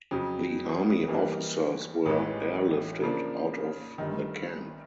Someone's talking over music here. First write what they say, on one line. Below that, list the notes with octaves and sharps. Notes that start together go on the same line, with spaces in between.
The Army officers were airlifted out of the camp.
F2 C#3 F#3
G2 E3 G3 A#3 D#4
A1 A2 E3 G#3
C#3 F3 A#3 D4
G1 G2 D#3